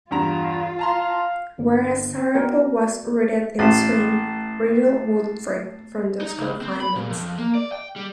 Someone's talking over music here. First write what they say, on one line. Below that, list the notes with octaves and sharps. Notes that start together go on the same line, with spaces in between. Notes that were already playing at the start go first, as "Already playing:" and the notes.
Whereas Siravo was rooted in swing, Riddle would break from those confinements.
E2 G2 F4 A#5
F5 A5 A#5 C6
G1
B3 F#4 A#4 D5 G5
A1 A3 A6 C7 E7
D#4
C#2
C4
B5
A#2
F2
A#3
D5
G5
G3